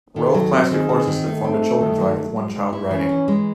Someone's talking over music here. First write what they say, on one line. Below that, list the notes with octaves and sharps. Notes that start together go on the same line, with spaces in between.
Row of plastic horses that form a childrens ride with one child riding.
D#3 A4
F#3
C4
D#3 G#4
C4
D#3
A3 D#4
C4
D#4
D#3
F#3
F#3
G#3
G#3
E4
E3 C#4
E3
G#3